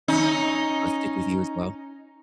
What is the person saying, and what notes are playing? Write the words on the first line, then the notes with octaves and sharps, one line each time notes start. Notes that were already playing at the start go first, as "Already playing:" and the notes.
uh, stick with you as well?
C#4 D#4